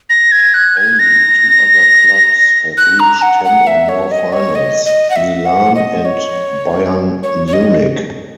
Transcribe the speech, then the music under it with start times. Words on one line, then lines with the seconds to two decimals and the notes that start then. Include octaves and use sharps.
Only two other clubs have reached ten or more finals: Milan and Bayern Munich.
0.10 A#6
0.32 G#6
0.54 F#6
0.77 G#6
0.99 A#6
2.77 F#6
3.00 A#5
3.22 F#5
3.44 F#5
3.67 E5
3.89 C#5
4.11 D#5
4.33 C#5
4.55 D#5
4.85 D#5
5.10 F#5
5.16 E5
5.45 F#5
5.75 D#5
6.05 C#5
7.23 C#5
7.47 C#5
7.53 D#5